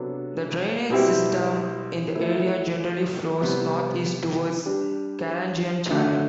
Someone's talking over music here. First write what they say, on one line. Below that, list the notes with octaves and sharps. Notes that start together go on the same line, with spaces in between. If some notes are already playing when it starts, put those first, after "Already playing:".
The drainage system in the area generally flows north-east towards Carangian Channel.
Already playing: C3 F#3 B3 D4 A4
B2 G3 C4 E4 G4
F#3 A3 E4
C3 G3 B3
G3 D4 G4
D3 A3 D4 F#4